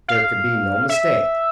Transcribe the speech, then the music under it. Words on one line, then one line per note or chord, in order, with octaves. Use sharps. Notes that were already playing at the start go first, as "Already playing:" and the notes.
There could be no mistake.
F5
E5